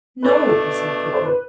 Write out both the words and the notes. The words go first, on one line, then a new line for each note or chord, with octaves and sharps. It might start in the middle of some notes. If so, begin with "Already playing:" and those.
"No!" he said, quickly.
B2 A3 D4 B4
A4
C5
B4